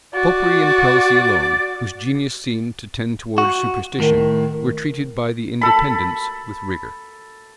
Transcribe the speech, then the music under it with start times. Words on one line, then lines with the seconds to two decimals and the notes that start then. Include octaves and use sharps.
Popery and prelacy alone, whose genius seemed to tend towards superstition, were treated by the Independents with rigor.
0.14 F#4 D5
3.38 F#4
4.00 A2 D#3
5.61 A4 B5